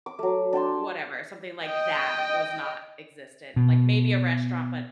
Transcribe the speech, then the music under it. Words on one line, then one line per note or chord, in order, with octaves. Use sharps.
whatever, something like that was not existent. Like maybe a restaurant, but
D6
F#3 A3
D4 G5 A5 C6
D#5 G5
B2